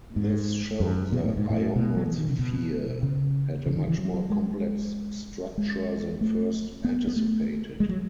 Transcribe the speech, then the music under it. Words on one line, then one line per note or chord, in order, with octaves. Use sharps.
This showed the ionosphere had a much more complex structure than first anticipated.
G#2
F#2
B2
A2
G#2
A2
B2
F#3
E3
D#3
C#3
B2
C#3
C#3
D#3
E3
F#3
F#3
G#3
G#3
A3
B3
B3
A3
G#3
F#3